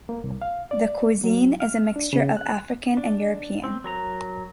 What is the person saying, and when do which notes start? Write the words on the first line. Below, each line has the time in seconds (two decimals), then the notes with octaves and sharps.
The cuisine is a mixture of African and European.
0.09 A#3
0.24 C2
0.42 F5
0.71 D5
1.24 F#3
1.60 F6
1.96 D4
2.13 C#3
2.37 F#6
2.97 D4
3.64 C4
3.84 F#3 A#4 A#5